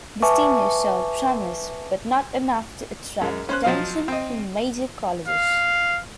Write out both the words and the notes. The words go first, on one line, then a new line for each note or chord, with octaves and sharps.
Gastineau showed promise, but not enough to attract attention from major colleges.
B4 E5 G#5 A5 C#6 D6
F#2 G#3
C#4 C5 F#6
F3 F#3 C5 D#5 F5
C4 D#5
F5